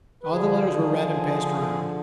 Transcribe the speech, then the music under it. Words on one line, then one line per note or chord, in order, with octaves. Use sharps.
All the letters were read and passed around.
B4
D3 F3 G#4